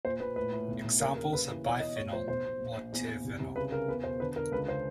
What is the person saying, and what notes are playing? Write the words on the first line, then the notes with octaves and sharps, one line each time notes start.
Examples are biphenyl or terphenyl.
A#2 C5
A#2 B4
A2 B4
A2
B1
B1
D#2 A#4
C#3 A#4
D#2 B4
E3
B2 C#5
B2 D#5
A2 C#5
F3 C5
B1 C5
B2
A#1
A#1
E2
E2
C2
C2
C#3 B4
C#3 A#4
E2 B4
B2 C5
D3 B4
D3 A#4
C#2 B4
C#3 C5